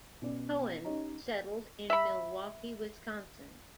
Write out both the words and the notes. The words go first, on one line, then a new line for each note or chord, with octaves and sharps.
Cohen settled in Milwaukee, Wisconsin.
B2 C#4 D5
C#4 D#4 G4 C#5 D#5 A#5
E5 B5